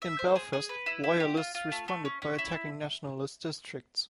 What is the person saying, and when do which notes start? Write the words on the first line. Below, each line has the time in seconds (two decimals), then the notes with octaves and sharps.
In Belfast, loyalists responded by attacking nationalist districts.
0.02 E5
0.19 C5
0.36 G#4
0.53 G#4
0.69 B4
0.86 E4
1.04 E4
1.20 G4
1.37 F4
1.55 F4
1.72 A3
1.88 A3
2.05 C#4
2.22 C#4
2.39 E4